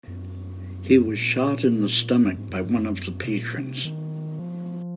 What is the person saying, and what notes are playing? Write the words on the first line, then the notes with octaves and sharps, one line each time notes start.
He was shot in the stomach by one of the patrons.
F#2
G#2
A#2
F#2
G#2
F#2
G#2
F#2
C3
A#2
C3
D#3
F3